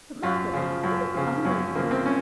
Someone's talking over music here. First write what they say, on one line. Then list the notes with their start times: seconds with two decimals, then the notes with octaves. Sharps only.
But, Margaret, what a bungler you are!
0.23 F#2 F4
0.53 C#3 F3
0.84 F#2
1.14 C#3 F3
1.45 F#2 C#4
1.75 C#3 F3 A#3
1.91 C4
2.06 C#4